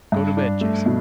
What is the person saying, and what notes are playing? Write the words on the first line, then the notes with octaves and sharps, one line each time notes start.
"Go to bed, Jason."
G2
D4
A3
B2